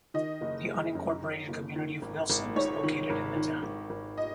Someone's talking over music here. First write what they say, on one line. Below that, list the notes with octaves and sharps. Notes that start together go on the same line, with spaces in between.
The unincorporated community of Wilson is located in the town.
D#3 D#5
F#1
G#3
F#2
D#3
F#1
D#3
G#1
G#1
G#2 C#5
D#3
G#1
D#3
G#1
G#1
D#5